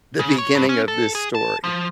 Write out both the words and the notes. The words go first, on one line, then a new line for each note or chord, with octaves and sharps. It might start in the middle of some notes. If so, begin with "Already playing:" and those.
the beginning of this story.
C#3
C#5
G2
C#4
A4
G#4
A5
F3